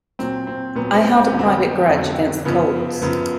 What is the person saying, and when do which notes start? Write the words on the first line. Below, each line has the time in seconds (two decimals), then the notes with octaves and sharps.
I held a private grudge against the Colts.
0.19 A#2 F#3 C4
0.47 C4
0.75 A#2 F#3 B3
0.94 C4
1.13 C4
1.26 B3
1.32 F2 D3 F#3
1.39 C4
1.89 F2 D3 F#3
2.45 F#2 C#3 F3 B3
3.02 F#2 C#3 F3 B3